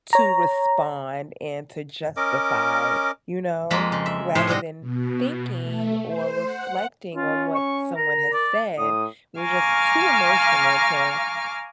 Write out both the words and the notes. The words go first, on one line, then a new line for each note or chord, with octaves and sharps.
to respond and to justify, you know? Rather than thinking or reflecting on what someone has said, we're just too emotional to
C#5 A#5
C#4 A#4 D#5 D6
F2 G#3 A#3 A#5 B5
C#3
E5
A2 C3 F3 C5 C#5 E5
G2 C3 G#3 F#4 D#5
B2
A3
C5
F#5
C#4 F4
C#6
A#4 A#5
D5
A2 D#6
F5 G#5 A#5 C#6 D6 F6